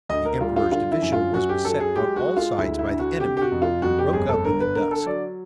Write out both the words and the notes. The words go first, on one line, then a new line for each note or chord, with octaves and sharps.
The Emperor's division was beset on all sides by the enemy, and broke up in the dusk.
D2 D#5
A#4
G3 F4
F4
D3 F4
E4
F#2
F4
F#2 F#4
G4
F#3 A4
G#4
G#3 G4
F#4
G#3
F4
D2 E4
E4
D3
F#4
C3 G4
G4
F#4
F2
F4
F2 F#4
G4
G1 G#4
A4
D3 A#4
B4
D3 A#4
A4
F#3 D5